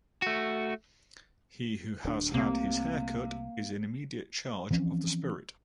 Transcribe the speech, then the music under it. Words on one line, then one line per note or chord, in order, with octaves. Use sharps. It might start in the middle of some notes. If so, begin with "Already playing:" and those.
He who has had his hair cut is in immediate charge of the spirit.
A3 F#4
D1 D4
C2 C3 A3 A#3
E3 F3 C4 C#4